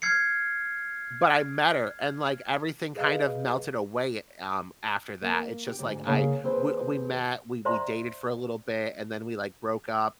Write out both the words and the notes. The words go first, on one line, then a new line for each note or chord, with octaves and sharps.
but I met her and, like, everything kind of melted away, um, after that, it's just like I we we met, we we dated for a little bit, and then we, like, broke up
F6 G#6 C7 C#7
G#4 B4 D#5 F5
A#3
G4
D2 G#2
C#3 A#3 C#4 G#4 F5
D#2 C4 G#4 B4 C5
C5 D5 E5 A#5 C6